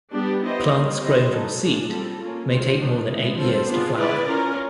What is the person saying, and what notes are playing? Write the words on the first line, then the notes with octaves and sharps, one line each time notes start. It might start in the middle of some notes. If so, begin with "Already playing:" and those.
Plants grown from seed may take more than eight years to flower.
G3 B3 D4 G4
B3 E4 G4 C5 D#5
D#3 G3 A#3
C4 E4 G4 C5 D#5
F#3 B3 D#4 F#4 A4
A#3 D4 F4 G#4
G3 C4 F4 A4
A#3 C#4 F4
G3 C4 F4 G#4 C5
D#3 F#3 A#3 D4
G#3 B3 E4
G3 C4 F4 A4 C5
B3 D4 F4 G#4
B3 E4 G#4 B4 D5
C#4 F4 A#4